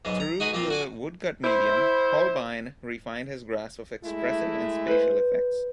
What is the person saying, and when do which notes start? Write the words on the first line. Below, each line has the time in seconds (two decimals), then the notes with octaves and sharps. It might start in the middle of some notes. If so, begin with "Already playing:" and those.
Through the woodcut medium, Holbein refined his grasp of expressive and spatial effects.
0.05 B1 G#2 G#3
0.20 A#5
0.40 D#4 F#4 G#4 B4
0.53 A#2 F3 A#3 C4 F4
0.70 F#4 G#5 D6
1.44 E4 C5
4.04 G#3 A3 E4
4.87 B4 C5